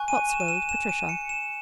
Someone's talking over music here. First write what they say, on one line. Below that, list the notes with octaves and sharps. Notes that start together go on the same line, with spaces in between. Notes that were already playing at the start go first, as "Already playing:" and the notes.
Cotswold Patricia.
Already playing: G#5 C#6 F#6
D#7
E7
D#7
E7
E7
D#7
C#7
E7